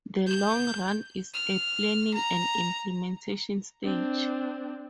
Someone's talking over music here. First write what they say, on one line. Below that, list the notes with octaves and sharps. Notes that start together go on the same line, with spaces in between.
The long run is a planning and implementation stage.
G6
F6
A#5
C4 D4